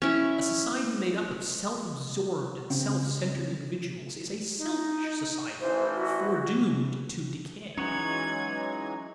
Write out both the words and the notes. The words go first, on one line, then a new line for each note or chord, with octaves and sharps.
A society made up of self-absorbed and self-centered individuals is a selfish society, foredoomed to decay.
C#4 E4
C#3 C4
D#4
A1 E3 C5
F#4
E3 F#3 G#3 C#4 D#4 C#5 F#5 G#6